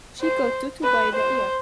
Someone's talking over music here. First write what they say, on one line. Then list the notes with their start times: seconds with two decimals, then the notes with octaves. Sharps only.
She caught Toto by the ear.
0.21 C5
0.84 B4
1.16 C5